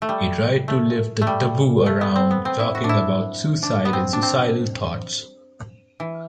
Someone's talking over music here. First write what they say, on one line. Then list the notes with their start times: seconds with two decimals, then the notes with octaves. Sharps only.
He tried to lift the taboo around talking about suicide and suicidal thoughts.
0.02 A3
0.09 G3
0.68 A3
1.21 A3
1.27 G3
1.86 A3
2.01 B3
2.16 C4
2.31 B3
2.45 C4
2.60 E4
2.75 F#4
2.84 D4
2.89 E4
3.63 D4
3.85 B3
3.93 C4
4.13 D4
4.23 C4
6.00 E3